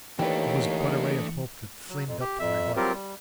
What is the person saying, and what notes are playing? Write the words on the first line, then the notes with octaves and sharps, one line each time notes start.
It was but a ray of hope that flamed up in my heart.
D#2 E3 A3 D4 B4 C#5 D5 G5
F#3
F2
G4
F2 E5
F#3 G3 C4 F4 G4 A#4
G3